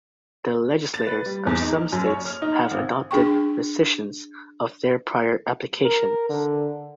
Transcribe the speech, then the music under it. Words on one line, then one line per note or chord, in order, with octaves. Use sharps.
The legislatures of some states have adopted rescissions of their prior applications.
A6
B4
G3
E2
D#4
F6
F#2
C#5
F6
D#4
F#5
G#1
D4 G#4 G5 C#6
A#4
D3